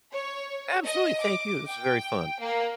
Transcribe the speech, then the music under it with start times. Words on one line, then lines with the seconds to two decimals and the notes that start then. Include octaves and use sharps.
Absolutely, thank you. This was very fun.
0.12 C#5
0.84 D#5
1.20 D6
1.67 G5
2.39 A#3